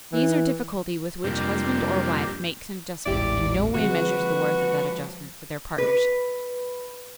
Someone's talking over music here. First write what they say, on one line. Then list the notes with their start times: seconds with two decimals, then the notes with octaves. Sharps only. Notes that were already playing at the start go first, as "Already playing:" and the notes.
The ease or difficulty with which husband or wife makes an adjustment in no way measures the worth of that adjustment for their partnership.
0.12 E3
1.24 F2 C3 G3 A#3 D4 G4
3.06 D#1 A1 G#2 E4 G4 D5
3.75 D3 F3 G#3 C4 F#4 B4
5.78 B4